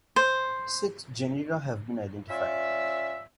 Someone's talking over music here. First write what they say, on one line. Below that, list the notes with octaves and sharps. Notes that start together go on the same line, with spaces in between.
Six genera have been identified.
C5
C#4 F4 D5 E5